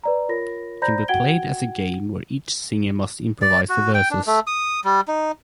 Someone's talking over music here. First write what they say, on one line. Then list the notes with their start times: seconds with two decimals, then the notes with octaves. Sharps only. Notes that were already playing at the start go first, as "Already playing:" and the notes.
It can be played as a game, where each singer must improvise the verses.
0.04 B4 D5 A#5
0.29 F4 A#4 C#5 B5 A#6
0.82 C5 D5 A#5 B5 G6 A#6
1.08 F#4 F#5 G5 G#6 D7 G7
3.42 D5
3.69 F#4
3.94 G5
4.11 D4
4.27 A3
4.47 D#6
4.84 G3
5.08 D#4